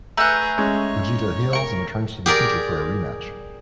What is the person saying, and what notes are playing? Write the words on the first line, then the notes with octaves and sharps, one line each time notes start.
Vegeta heals and returns to the future for a rematch.
A3 G#4 B4 A#5 E6 F#6 G6
G#3 C#4 C#5
A#4 C#6
G4 G#4 A#4 D5